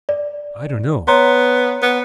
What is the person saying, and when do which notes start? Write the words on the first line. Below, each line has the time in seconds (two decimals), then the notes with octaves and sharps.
"I don't know."
0.09 D5
1.08 B3 C#5 A#5 C6
1.82 B3